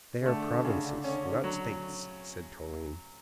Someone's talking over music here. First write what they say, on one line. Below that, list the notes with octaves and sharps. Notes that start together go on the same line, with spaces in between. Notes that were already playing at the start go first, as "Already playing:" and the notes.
"They are provinces, not states," said Toline.
C#3
D3 A3
C#3
C#4
F#3